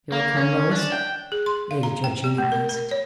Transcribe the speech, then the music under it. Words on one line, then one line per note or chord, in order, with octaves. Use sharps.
'You will come, Lois?' Lady Georgina asked.
A#3
C#4
D4
G5
G#4
C6
F5
A#5
G5
G4
A3
A#4
A#4
C#5